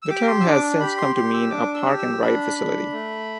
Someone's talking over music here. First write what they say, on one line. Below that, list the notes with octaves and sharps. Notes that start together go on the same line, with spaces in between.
The term has since come to mean a park and ride facility.
E6
G4 D6
C6
E6
D4 D6
G4 B5
C6
G4 C6
E6
D4 D6
E6
G4
E6
D4 B5
D4
A3